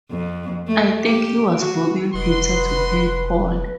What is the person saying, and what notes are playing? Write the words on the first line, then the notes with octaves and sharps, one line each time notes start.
I think he was robbing Peter to pay Paul.
F2
A3
G4
F#4
F1 F#4 B4 D#5 C6